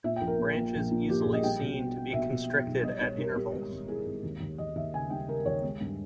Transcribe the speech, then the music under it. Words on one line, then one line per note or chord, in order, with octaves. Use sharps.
Branches easily seen to be constricted at intervals.
A#2 E5
G5
A#1
A#4
A#2
A#3
A#1
A#2
A#1 G4
G#4
A#1
D#5
G3 G5
B2
B3
B3
B2 E5
B2
B3
B1
G3 D#5
G3 C#5
G3 A#4
G3 G4
G#1
G#1
E3 G#4
G#1
D#2
D#2
D#2 D#5
D#2 E5
C#3 G#5
G3 G5
C#3 A#4
D#2 C#5
G#3
G2